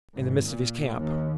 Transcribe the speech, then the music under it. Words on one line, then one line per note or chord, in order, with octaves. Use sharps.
"In the midst of his camp."
G#1
A#2
D#2